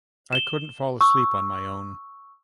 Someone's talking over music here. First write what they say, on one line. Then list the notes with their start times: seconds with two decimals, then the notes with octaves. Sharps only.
I couldn't fall asleep on my own.
0.33 E7 G7
1.01 C#6 E6